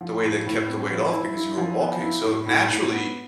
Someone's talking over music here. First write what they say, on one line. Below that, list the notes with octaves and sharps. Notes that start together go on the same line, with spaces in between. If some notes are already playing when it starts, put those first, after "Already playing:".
the way that kept the weight off because you were walking, so, naturally,
F3
A2
A2
C4
F3
E4
E4
F3
B3
E4
A2
A2
A2
B3